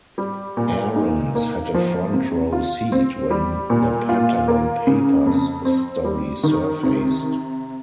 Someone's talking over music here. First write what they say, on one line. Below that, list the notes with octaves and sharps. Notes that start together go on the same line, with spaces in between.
Aarons had a front-row seat when the "Pentagon Papers" story surfaced.
G3
A#2
D#4
A#3
F3
C3
F4
C4
G3
A#2
F4
A#3
C#3
F2
C4
G3
D#3
C3